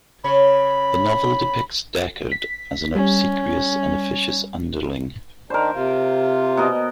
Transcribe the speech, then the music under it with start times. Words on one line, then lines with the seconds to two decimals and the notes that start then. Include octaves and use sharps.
The novel depicts Deckard as an obsequious and officious underling.
0.24 C#3 C#5 B5
2.32 B6
2.95 G3 C#4
5.50 D#3 D4 A#4 C5
5.75 C3 F4
6.57 B2 A#4 D#5